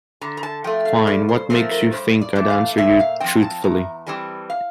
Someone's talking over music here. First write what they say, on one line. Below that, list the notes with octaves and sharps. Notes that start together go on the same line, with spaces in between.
Fine, what makes you think I'd answer you truthfully?
D3 A#5
A#5
A5
F3 A3 G5
F5
G2 D5
C5
F3 A3 C4 A#4
A#4
G2 C5
D5
E3 A3 D4
F5
A#2 E5
F5
F3 C4 G5
A5
E2 A#5
E3 G3 C4 A5
F5